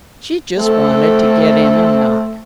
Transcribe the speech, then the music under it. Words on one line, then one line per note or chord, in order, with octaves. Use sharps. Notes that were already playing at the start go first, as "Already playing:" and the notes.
She just wanted to get in a knock.
A3 C4 A4